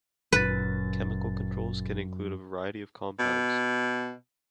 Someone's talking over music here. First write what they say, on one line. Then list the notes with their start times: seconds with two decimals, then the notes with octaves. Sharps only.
Chemical controls can include a variety of compounds.
0.32 G1 F#2 A#2 B4 A6
3.19 B2